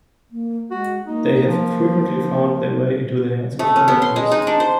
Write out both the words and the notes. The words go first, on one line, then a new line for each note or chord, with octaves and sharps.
They have frequently found their way into the hands of collectors.
A#3
G#3 F#4
A#3 D#4
F3
A3
C#4
B3
C6
G#3
D#4
D4
C5